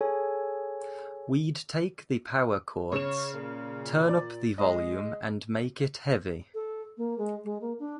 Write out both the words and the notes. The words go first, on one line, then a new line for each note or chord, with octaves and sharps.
We'd take the power chords, turn up the volume and make it heavy.
G#4 A4 C#5 G#5
C#3 C#5 E7
A#2
D5
G#3 D#5
A4
A#3
G#3
G#3
A#3
D4